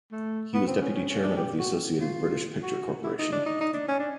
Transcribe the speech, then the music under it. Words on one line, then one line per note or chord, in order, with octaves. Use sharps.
He was deputy chairman of the Associated British Picture Corporation.
A3
B3
C4
C#4
C#4
C#4
D4
G4
F#4
F4
F#4
E4
D#4
D4
D#4
D#4
D4
C#4
D4